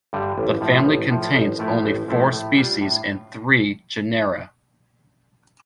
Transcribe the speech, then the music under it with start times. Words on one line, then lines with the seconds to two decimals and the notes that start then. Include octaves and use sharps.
The family contains only four species in three genera.
0.13 G2 D3 G3
0.38 A1
0.61 A2 F3
0.86 A1
1.10 A2 F3
1.34 A1
1.59 A2 F3 A3 E4
1.84 A1
2.08 A2 F3 A3 E4
2.32 A2
2.57 G3 D4 F4
2.81 A2